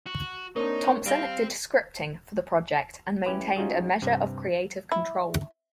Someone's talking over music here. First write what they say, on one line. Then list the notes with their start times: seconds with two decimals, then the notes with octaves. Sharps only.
Thompson did scripting for the project and maintained a measure of creative control.
0.06 F#4
0.56 A#3 C4 D4 D#4 A#4 C#5
1.06 G3 C4 F5 A#6 D7
3.26 C#4 E4 G4 B4
3.56 C#4 D#4 F4 F#4 G#4
4.02 G2 C3
4.92 E4